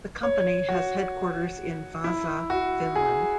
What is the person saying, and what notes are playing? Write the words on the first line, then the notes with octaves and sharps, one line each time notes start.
The company has headquarters in Vaasa, Finland.
C#5
F#4
E4
F#4
G#4